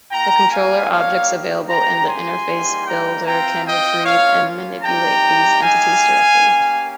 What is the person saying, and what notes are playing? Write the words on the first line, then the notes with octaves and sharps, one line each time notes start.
The controller objects available in Interface Builder can retrieve and manipulate these entities directly.
A#3 F4 G5 A#5
F5 G#5
A#3 D#4 G4 C#5 F5
G#3 C4 G4 G5 A#5
G#5 C6
G3 A#3 D#4 G4
G5 A#5
C4 F4 G5 A#5
D#5 G5
A#3 C#4 F4 C#5 F5
G3 C4 D#4 G4 G5 A#5
G#3 D#4 G4 F5 G#5
A#3 C#4 G4